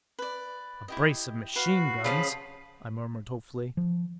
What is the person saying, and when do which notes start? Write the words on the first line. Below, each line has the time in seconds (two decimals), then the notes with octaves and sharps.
"A brace of machine-guns...." I murmured hopefully.
0.19 B4 D5
0.88 E4 G4 D#5
1.56 F#4 B4 F5 C7
2.04 C#3 F3 C#4 F5 A5 B5
3.77 F3